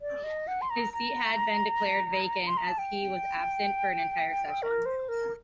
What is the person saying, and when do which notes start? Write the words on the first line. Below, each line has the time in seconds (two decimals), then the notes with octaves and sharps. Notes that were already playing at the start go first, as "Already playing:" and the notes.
His seat had been declared vacant as he was absent for an entire session.
0.02 D5
0.24 D#5
0.47 F#5
0.62 C6
0.70 A#5
0.93 A#5
2.47 C6
2.57 A#5
2.68 A5
2.78 G5
4.63 A#4
4.86 C5
5.09 A#4